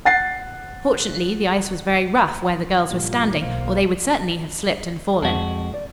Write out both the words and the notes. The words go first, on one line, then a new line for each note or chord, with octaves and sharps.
Fortunately the ice was very rough where the girls were standing, or they would certainly have slipped and fallen.
F#5 A6 C7
G2 A#2 F3
B1 A#3 C5 F5
F2 G#3 C4 F#4 A5
D5